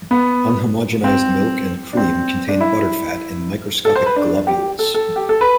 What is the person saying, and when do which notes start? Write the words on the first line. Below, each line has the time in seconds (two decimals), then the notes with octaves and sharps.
Unhomogenized milk and cream contain butterfat in microscopic globules.
0.11 B3
1.04 C4
1.93 D4
1.97 C4
2.48 D4
2.61 E4
3.85 A4
3.96 C5
4.06 B4
4.16 D4
4.47 G4
4.79 A4
4.94 A4
5.16 G4
5.29 A4
5.41 B4